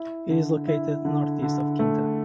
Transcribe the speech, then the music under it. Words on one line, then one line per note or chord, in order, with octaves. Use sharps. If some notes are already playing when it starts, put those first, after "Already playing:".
It is located northeast of Kinta.
Already playing: E4
D3
E4
D3
D3
A3